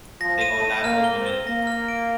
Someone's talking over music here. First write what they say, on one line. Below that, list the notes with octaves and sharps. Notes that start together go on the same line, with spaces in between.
They all laugh over it.
F3 A#6
D#7
A3
D#7
A#3 F6
G7
C4
G7
A#3 A#6
F6
D7